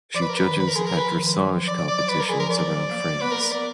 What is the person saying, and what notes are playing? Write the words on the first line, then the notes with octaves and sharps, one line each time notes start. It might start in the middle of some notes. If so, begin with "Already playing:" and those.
She judges at dressage competitions around France.
F3 D5
B4
A#4
B4
D#3
B4
A#4
F3 G#4
A#4
B4
F3
D#3
F3
F#3
F3
F3 D5
D5
D5
F#3 D5
B4
A#4
F3 G#4
F3 A#4
F3 D5
F#3
A#3
B3 B4
A#4
A#4
D5